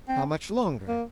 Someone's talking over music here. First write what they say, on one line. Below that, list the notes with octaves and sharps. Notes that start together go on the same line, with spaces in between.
How much longer?
C4
A#3